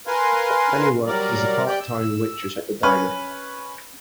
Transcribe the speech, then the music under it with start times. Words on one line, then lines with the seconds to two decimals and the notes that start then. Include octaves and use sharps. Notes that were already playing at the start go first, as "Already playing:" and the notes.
Annie works as a part-time Waitress at the diner.
0.07 A#4 B4 F5 G#5 C6
1.07 F#3 G3 A#4 D5
1.67 G4 D5 G5 G6
1.81 E6
2.83 C#4 B4 C#6 F6